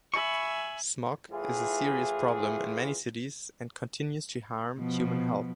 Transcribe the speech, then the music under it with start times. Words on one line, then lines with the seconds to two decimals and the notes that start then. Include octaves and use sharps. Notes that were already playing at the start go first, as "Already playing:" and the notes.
Smog is a serious problem in many cities and continues to harm human health.
0.14 E5 G#5 B5 C#6
1.30 A2 E3 F4 G#4
4.79 B2 F3